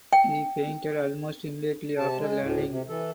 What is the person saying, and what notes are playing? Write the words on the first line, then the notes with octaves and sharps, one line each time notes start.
He fainted almost immediately after landing.
G5
C3 A5
G#3
D2 A2
C3
E3 A4